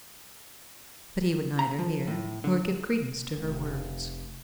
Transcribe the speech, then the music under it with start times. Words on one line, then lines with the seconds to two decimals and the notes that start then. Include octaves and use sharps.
But he would neither hear, nor give credence to her words.
1.59 A#5
1.79 F3
2.07 A2
2.44 D3
3.37 F1 C4